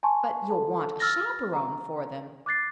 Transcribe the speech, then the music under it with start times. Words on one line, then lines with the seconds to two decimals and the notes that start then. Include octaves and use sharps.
"But you'll want a chaperone for them."
0.03 G#5 A5 C6 C#6
0.50 A4 A5
1.00 E6 F6 A6 A#6
1.53 A#5
2.46 D6 F#6 A6 C7